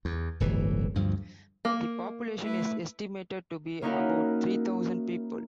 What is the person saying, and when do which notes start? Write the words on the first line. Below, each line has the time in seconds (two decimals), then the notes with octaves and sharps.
The population is estimated to be about three thousand people.
0.05 E2
0.40 D1 G1 E3
0.95 D2 G2 F3
1.65 A#3
2.41 A3 E4 B4
3.82 A#3 C#4 D#4 E4 F#4 A#4